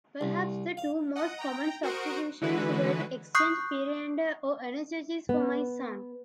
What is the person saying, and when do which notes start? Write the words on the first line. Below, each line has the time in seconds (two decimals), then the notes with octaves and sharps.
Perhaps the two most common substitutions were to exchange Periander or Anacharsis for Myson.
0.21 C2
0.77 F5
1.16 D#5 F#5 D#6
1.39 G5 A#5
1.83 F#4 A#4 C5 C#6 D#6 D7
2.41 D3 E3 G#3 F#4 B4
3.35 C#6 D#6 F#6 G6 C7
5.29 B3